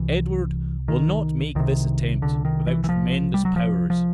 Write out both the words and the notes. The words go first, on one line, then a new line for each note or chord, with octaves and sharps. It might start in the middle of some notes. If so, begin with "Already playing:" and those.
Edward will not make this attempt without tremendous powers.
Already playing: C2 C3 E3
D#3
C2 C3 D#3
D3
D#3
E3
E3
F3
G3
F#3
F3
F3